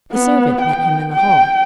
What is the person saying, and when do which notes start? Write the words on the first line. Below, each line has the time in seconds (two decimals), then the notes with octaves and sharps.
The servant met him in the hall.
0.12 B3
0.62 G5
1.12 G5